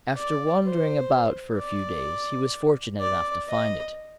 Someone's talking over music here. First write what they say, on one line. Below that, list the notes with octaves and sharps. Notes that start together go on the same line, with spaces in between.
After wandering about for a few days, he was fortunate enough to find it.
D5
C5
D5
D5
D#5